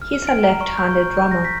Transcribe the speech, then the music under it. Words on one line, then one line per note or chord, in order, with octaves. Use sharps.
He is a left-handed drummer.
F6
F6
D7
A#5
C#6
G6
C#6
G6
A#6
B6